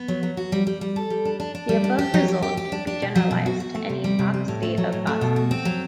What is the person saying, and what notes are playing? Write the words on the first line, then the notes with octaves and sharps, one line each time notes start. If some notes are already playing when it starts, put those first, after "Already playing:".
The above result can be generalized to any Fock state of bosons.
Already playing: B3
F#3
F#3
F#4
G3
G3
G3
A4
G3
D4
D4
D4
G3
D4
G4
F#3
G4
G4
G4
D4
D4
B2
F#3
B2
F#4
F#4
A3
C3
G3
C3
G3
A2
A3
F#3
A2
A3
B2
F#4
C4
F#3